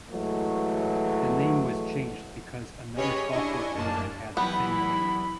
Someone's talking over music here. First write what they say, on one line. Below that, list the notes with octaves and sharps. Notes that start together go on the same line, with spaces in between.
The name was changed because another software program had the same name.
E3 F#3 G#3 A3
C#4 G4 G#4 B4 C#5 D#5
D4 E4 G4 D#5 G#5 C#6
F#2 A#3 D4 A5
E3 F#3 G3 B3 E4 B5